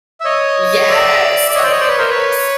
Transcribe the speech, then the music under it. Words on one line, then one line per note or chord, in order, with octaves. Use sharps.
Yes. Oh, my goodness.
E5
C#5 D#5
D5 E5
D5
C#5 D#5
C5 D5
C#5 D#5
C5 D5
B4 C#5
A#4 C5
B4 C#5